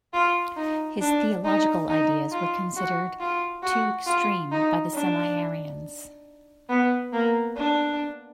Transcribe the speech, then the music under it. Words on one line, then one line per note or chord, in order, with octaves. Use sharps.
His theological ideas were considered too extreme by the Semi-Arians.
F4
D#4
D4
D#4
D#4
F4
F#4
F4
F#4
F4
D#4
D4
B3
A#3
D4